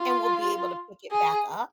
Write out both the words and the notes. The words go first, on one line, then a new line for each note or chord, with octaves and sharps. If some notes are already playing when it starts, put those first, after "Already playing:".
and we'll be able to pick it back up.
Already playing: F4
G#4